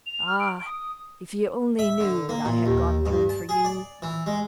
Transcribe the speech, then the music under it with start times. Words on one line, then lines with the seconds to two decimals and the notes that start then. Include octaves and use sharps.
Ah, if you only knew what I have gone through for you!
0.07 F7
0.27 F6
0.40 D7
0.65 D#6
1.79 E5
2.00 D3
2.29 A#3
2.45 A#2
2.66 D#2
3.06 G2
3.29 A5
3.49 G#4
3.65 D5
4.02 E3
4.26 G#3